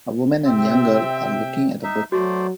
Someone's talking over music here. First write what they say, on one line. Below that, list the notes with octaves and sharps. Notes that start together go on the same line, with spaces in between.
A woman and young girl are looking at a book.
C3 C4 E5 G5
D#4 E5
F#3 A3 F#4 C5 D5